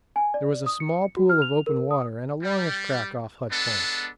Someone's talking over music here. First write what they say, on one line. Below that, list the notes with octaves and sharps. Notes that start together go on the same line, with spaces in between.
There was a small pool of open water and a longish crack off Hut Point.
G#5
D5
D#6
C#7
F#4
F6
F7
A#4
D#6
G3
G#3 B3 D4 A4